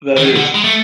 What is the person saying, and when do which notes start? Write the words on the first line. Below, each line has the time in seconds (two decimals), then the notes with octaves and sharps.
That is.
0.17 D#3
0.36 D3
0.55 G#3
0.64 A3